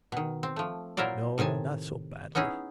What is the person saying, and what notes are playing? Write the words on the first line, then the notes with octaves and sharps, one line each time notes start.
'No, not so badly.
B2 D#3
C4
F3 A3
A#2 F#3 E4 A#4 C5 D5
A2 C3 D#3 G#5 A5
B3 C#4 D#4 E4 G#4